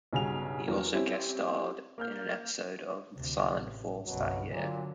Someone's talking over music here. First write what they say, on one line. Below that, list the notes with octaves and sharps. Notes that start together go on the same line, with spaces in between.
He also guest-starred in an episode of "The Silent Force" that year.
B1 G2 C#3 F#4 G#5 F7
E2 F#3 A#3 C#4 A#4
G3 C4 C#4 E4 G4
A#3 F6 G6
D2 C3
A1
G1 C2 F#2 B2 F#3
A#2 D3 F#3